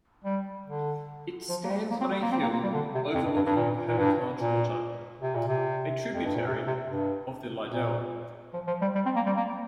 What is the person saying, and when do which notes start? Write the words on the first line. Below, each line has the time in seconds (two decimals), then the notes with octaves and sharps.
It stands on a hill overlooking Hermitage Water, a tributary of the Liddel.
0.24 G3
0.66 D3
1.49 F3
1.64 A#3
1.70 G3
1.90 A#3
2.01 C4
2.11 G3
2.22 A#3
2.32 C4
2.42 A#3
2.53 A#3
2.63 G3
2.73 D3
2.94 C3
3.15 F2
3.25 G2
3.35 G2
3.46 G2
3.56 A#2
3.88 A#2
3.98 G2
4.40 A#2
5.22 C3
5.35 A#2
5.48 C3
6.14 F2
6.25 G2
6.35 A#2
6.46 C3
6.67 C3
6.88 G2
7.71 A#2
8.53 F3
8.67 F3
8.81 G3
8.95 G3
9.05 C4
9.16 A#3
9.26 G3
9.36 A#3